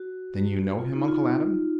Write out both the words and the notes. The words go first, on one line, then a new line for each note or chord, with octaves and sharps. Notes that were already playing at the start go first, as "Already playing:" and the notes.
Then you know him, Uncle Adam?
Already playing: F#4
F4
D#4
F4